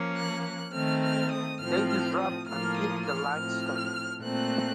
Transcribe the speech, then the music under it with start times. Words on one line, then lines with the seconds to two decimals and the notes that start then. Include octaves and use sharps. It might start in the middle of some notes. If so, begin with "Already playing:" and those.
They disrupt and eat the limestone.
Already playing: F3 A#3 C#4
0.15 F#6
0.44 F#6
0.73 D#3 A3 C4 F6
1.02 F6
1.32 D#6
1.60 A2 F3 C4 F6
1.89 F6
2.18 D#6
2.47 A2 F3 A#3 F4 F6
2.76 D#6
3.05 F6
3.33 A2 F3 C4 F6
4.21 A#2 A3 C4 F#6